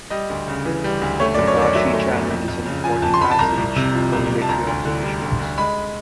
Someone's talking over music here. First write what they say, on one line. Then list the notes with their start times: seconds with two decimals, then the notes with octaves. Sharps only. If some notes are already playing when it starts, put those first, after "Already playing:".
The Bashi Channel is an important passage for military operations.
0.10 G3 D#5
0.29 D2
0.48 C#3
0.65 E3
0.84 G3
1.01 D2
1.20 A3 C#5
1.34 D5
1.38 F#2
1.47 C#5
1.56 D#3
1.62 D5
1.75 F#3 E5
1.93 A3
2.12 F#2
2.30 F2
2.48 F2
2.66 C#3
2.84 F3 G#5
3.02 F2 A5
3.14 C6
3.21 F2 B5
3.31 A5
3.39 C2 A#5
3.57 C2
3.76 C3
3.93 F3
4.13 C2
4.30 C2
4.42 A5
4.49 D2 A#5
4.67 D2
4.85 D3
5.03 G3
5.22 D2
5.40 D2
5.58 G#3 B5